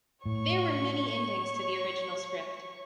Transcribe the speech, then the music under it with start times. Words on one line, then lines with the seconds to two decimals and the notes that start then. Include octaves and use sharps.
There were many endings to the original script.
0.26 A2 C#5 C#6